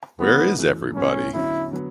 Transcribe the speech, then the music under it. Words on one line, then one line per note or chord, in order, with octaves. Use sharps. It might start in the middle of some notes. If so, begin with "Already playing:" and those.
Where is Everybody?
E2 C#3 E3 A3 B3 C#4
F#2 E3 A3
A2 F#3 B3 C#4 F#4
E2 D3 F#3 C#4 E4
D3 F#3 B3